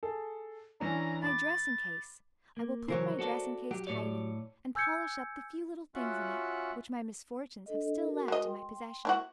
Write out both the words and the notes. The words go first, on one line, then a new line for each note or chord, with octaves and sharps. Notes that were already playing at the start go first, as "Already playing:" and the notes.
My dressing-case--I will put my dressing-case tidy, and polish up the few little things in it which my misfortunes have still left in my possession.
G#4 A4
E3 C#4 D4 A#5
B5 D6 A6
A#3
C#3 E3 F#3 C4 A#4 C#5
F#4 A4 D5
F#3 G4
A2 C#5 D5
G#5 E6 G6 G#6 C#7
C#4 F4 F#4 E5 F#5 F#6
D4 A4 D#5
F#4 G#4 A#4
G#3 D#5
G5 C6
A#3 E4 F#4